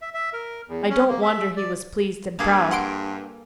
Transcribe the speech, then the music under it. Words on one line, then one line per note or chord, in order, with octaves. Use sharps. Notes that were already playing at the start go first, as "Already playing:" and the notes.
I don't wonder he was pleased and proud.
E5
E5
A#4
E2
C#4
A#3
E5
D5
G2 A#3 G#4 A4
F#5 C6 D7